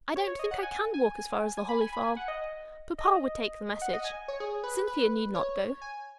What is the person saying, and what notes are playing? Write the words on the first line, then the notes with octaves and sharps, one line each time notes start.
"I don't think I can walk as far as the Holly Farm; papa would take the message; Cynthia need not go."
C#5
C#5
D#5
F#5
G#5
G#5
G#5
B5
G#5
B5
G#5
F#5
D#5
D#5
F#5
D#5
G#5
C#5
G#4
B4
B4
C#5
G#5